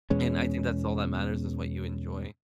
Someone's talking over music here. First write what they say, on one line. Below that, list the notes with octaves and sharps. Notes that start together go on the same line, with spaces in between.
And I think that's all that matters is what you enjoy.
E2 B2 G#3 C#4